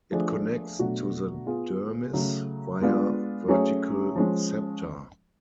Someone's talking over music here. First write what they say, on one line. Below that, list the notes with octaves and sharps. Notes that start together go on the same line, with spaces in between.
It connects to the dermis via vertical septa.
F3 A3 D4 G#4
B2 F#3 A3 D4 F#4
B3 F4 G#4
C#3 F#3 A3
G#3 B3 D4 F4
F#3 A3 C#4 G#4 C#5
F3 G#3 C#4